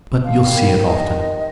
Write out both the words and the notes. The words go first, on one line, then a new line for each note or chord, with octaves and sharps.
But you'll see it often.
F3 F5
D#3 G3
D#3
F3
D#3 D#5